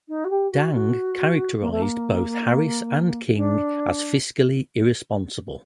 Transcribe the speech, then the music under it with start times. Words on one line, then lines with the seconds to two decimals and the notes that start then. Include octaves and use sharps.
Dang characterized both Harris and King as fiscally irresponsible.
0.08 D#4
0.24 F#4
0.30 G4
0.51 F#4
0.73 F#4
1.61 A#3
1.71 A3
1.82 A#3
3.36 D4